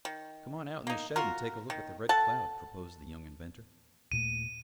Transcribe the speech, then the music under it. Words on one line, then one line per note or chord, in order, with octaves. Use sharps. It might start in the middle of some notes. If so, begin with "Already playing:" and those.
"Come on out in the shed and take a look at the Red Cloud," proposed the young inventor.
D#3
A#3 D#4
F4 F#4 A#4
D#3
A4 F#5 A5
D#1 A#2 A3 D#7